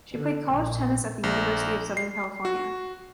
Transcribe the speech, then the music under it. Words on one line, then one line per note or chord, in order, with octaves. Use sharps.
She played college tennis at the University of Southern California.
D3
A#1
A#1
C7
F#4